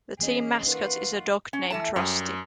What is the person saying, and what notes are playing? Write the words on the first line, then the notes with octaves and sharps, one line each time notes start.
The team mascot is a dog named Rusty.
E3 A#3 C#4 G#4 D#5
D#4 F4 F#4 A#4 B4
C#4
E3 A3 A5
F#2 G3